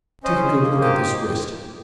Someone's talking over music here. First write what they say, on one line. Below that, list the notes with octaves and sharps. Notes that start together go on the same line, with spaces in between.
Take a good look at this wrist.
C#4 C5 D#5
G#4
A#3
G4 C5 D#5